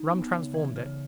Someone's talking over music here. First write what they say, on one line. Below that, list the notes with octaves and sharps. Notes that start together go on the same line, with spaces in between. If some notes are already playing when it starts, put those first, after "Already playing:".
Rum transformed it.
Already playing: D#4
B3
C#3
E3
C#3